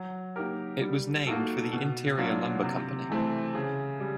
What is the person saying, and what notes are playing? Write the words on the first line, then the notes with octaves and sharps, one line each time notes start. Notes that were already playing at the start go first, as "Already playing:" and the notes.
It was named for the Interior Lumber Company.
Already playing: F#3
A#3 D#4 G4 A#4
G3
A#3 D#4 F#4 A4
B2
F#3 A#3 D4 F4
C3
E3 A3 C4
C#3
G3